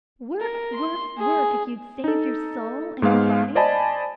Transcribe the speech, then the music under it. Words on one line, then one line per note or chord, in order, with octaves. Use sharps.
Work, work, work if you'd save your soul and your body.
A#4
C6
G#4
D#4 A4
G#2 G#3 B3 F5
C5 D5 D#5 G#5 A5 B5